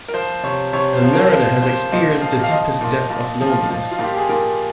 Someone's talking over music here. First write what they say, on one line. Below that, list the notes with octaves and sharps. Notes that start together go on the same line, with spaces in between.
The narrator has experienced the deepest depth of loneliness.
A#4
F3 C5
C3 C#5
C3 C#5
C5
F3
A#4
F3 C5
A#2 C5
A#2 D#5
F3 F5
F5
F3 D#5
A#2
A#2
F3
F3
F4
A#2
G4
G#4
A#2 A#4